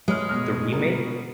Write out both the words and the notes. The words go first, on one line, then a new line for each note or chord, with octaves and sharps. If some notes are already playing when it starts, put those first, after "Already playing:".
the remake
G#3 B4 C#5 F6
B2 F6
B2 G3 A#4